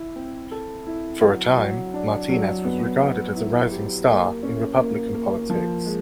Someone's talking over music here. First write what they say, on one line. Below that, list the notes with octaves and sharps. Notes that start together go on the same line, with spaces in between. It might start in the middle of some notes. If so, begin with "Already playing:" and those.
For a time, Martinez was regarded as a "rising star" in Republican politics.
Already playing: E4
C4
A4
E4
F#3
F#3
D4
F#3
B3
B3
E4
G4
A#3
C#4
A#3
A#3
F3
G#3